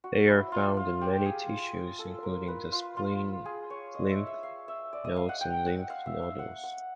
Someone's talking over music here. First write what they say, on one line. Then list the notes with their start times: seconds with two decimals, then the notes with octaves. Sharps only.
They are found in many tissues including the spleen, lymph nodes and lymph nodules.
0.04 F#4
0.29 E4
0.52 F4
0.77 F4
1.01 G4
1.25 G#4
1.99 A4
2.23 A#4
2.48 B4
2.72 F4
2.97 F4
3.45 G#4
3.70 C#5
3.94 D#5
4.10 E5
4.27 E5
4.43 F5
4.68 E5
4.93 D5
5.04 D#5
5.17 F5
5.29 F#5
5.41 G5
5.65 F#5
5.90 F5
6.06 E5
6.22 F5
6.39 F#5
6.63 F#5